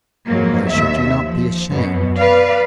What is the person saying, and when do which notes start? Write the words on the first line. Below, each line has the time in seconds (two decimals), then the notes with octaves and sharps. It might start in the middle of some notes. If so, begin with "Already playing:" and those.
Why should you not be ashamed?
0.26 F2 G#2 F#3 A#3
0.70 D#2 E5
1.24 F3
1.70 F#2 B2 B3
2.17 B4 D5 F5